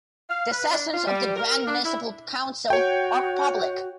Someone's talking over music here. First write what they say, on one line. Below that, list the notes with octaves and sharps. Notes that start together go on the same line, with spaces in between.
The sessions of the Grand Municipal Council are public.
F5
B4
D4
F4
G3
A#4
D4
E4
F#4 C#5 G5